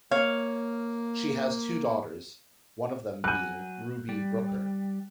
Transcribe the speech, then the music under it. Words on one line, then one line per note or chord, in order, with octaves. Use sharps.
She has two daughters, one of them being Ruby Brooker.
A#3 C#5 F5
F#3 G#5 F#6 G6
G3